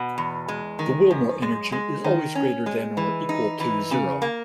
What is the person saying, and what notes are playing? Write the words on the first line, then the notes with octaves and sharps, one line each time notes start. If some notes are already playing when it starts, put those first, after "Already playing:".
The Willmore energy is always greater than or equal to zero.
Already playing: B2
E2
G#3
D#3
F#2
G#3
G#3
D#3
C#4
G#3
E3
D#4
E3
C#3
A#3